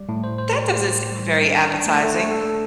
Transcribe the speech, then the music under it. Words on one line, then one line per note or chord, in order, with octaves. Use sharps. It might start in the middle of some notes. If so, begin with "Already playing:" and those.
That doesn't seem very appetizing.
Already playing: G3 D5
A2
C5
C5
G4
G4
G4
G4
G3
G3
D4
D4
D4
A3
A3
A3
A4
A3